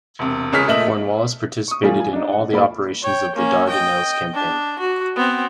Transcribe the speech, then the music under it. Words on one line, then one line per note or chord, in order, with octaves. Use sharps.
"Cornwallis" participated in all the operations of the Dardanelles campaign.
E1 C3
C#2 C#3 C#4 G#4 F6 B6
A#2 A3 D#5 E5 D#6 F#7
C#6 D#6
E3 G3 A3 F4 G#4
F5 G#5
D4 D#4
D#5 F#5
D#1 A#3 E4 A4 D5 B5
C#5 G5
A#3 C#4
D#5 G5
D4
F#4
B3 C4